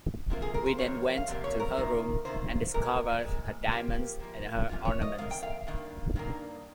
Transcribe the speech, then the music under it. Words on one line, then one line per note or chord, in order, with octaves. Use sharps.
We then went to her room and discovered her diamonds and her ornaments.
C3 F3 A#3
G#4
A#4
C5
F2 C3 G3 A#3 C#5
F5
F2 C3 G3 A#3
C#5
A#4
C3 D#3 A#3
C3 D#3 A#3 C5
A#2 G#3 A#4
A#2 G#3
G#2 F3 A#3 G4
G#2 F3 A#3
F2 D#3 G3 A#3 F4
C#5
D#5
F2 D#3 A#3 F5
G5
F5
G2 D#3 A#3
G2 D#3 A#3